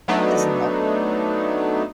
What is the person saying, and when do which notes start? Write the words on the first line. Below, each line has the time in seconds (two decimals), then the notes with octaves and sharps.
That doesn't help.
0.08 F#3 A3 B3 D4 D#4